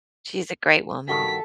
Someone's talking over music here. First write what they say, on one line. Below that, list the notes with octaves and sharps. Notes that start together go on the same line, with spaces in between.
She's a great woman.
G2 D#3 F#4 A4 B6